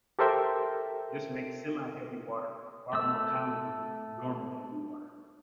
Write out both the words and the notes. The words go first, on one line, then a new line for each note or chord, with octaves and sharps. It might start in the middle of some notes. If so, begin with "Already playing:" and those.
This makes semiheavy water far more common than "normal" heavy water.
G4 A4 A#4 C5 E5 G5
A3 E6